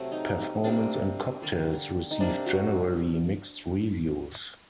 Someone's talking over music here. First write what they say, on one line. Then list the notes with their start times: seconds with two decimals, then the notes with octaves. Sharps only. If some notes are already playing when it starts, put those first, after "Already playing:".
"Performance and Cocktails" received generally mixed reviews.
Already playing: C3 F#3 A3
0.12 D#4
0.64 C3 G3 A#3 D4
1.42 D3 G3 A#3
2.11 D#4
2.20 C3 G3 A#3 D4
2.47 F#4